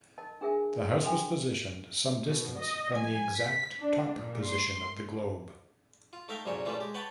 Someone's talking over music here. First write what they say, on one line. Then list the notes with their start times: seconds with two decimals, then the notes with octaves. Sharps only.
The house was positioned some distance from the exact top position of the Globe.
0.18 A#4 D#5 A5
0.41 D4 G#4 A#4 E5 G#5
1.03 D4 F#4 A4 E5 G5 G#5
2.26 B2
2.57 D#5
2.95 G#5
3.35 B6
3.79 D4
4.18 A#2
4.48 C6
6.13 F4
6.28 A3 D#4 A#4 E5 F5 G5
6.45 C2 F#2 A#2 C#3 D#4 C#5
6.65 A#2 C#3 E3 G3 A3 F4
6.80 G#3 G4
6.94 B4 C#5 F#5 G5 A5 B5